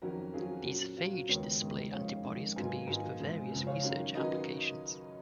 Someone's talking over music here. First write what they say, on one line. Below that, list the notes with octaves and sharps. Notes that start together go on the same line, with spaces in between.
These phage display antibodies can be used for various research applications.
F2 D#3 F#3 C#4 F#4 A#4
F2 D#3 F#3 C#4 F4 G#4
A#2 F#3 C#4 F#4
A#2 F#3 C#4 F4
F#4
D#2 C#3 G#3 B3 A#4 C#5
D#2 C#3 G#3 B3
F2 D#3 G#3 C#4 C#5 F5
F2 D#3 G#3 C#4
G#2 D#3 F#3 B3 F5 G#5
G#2 D#3 F#3 B3 F5 G#5
C#2 C#3 F3 G#3
C#2 C#3 F3 G#3
C#5 F5
F#2 D#3 F#3 C#4
D#3 F#3 C#4 B4 D#5